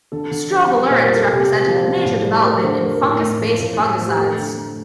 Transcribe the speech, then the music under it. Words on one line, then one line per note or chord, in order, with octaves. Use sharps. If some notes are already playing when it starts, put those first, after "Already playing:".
Strobilurins represented a major development in fungus-based fungicides.
D3 A4
D3
F3
G3
A#2 C5
G3 A#4
A4
C3 G4
C3
F3
G3
A2
G3
A3 A#4
D3 C5
A3 A#4
A2 A#4
A2
F3
A2
A2
F3
G4
A3 A4
D3
A3